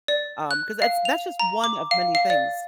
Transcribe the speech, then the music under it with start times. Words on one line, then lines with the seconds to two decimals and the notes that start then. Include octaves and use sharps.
um 'cause that's that's just one of many things.
0.08 D5
0.51 F#6
0.82 F5
1.05 F7
1.39 A#5
1.64 D6
1.91 F5
2.15 F5
2.30 D5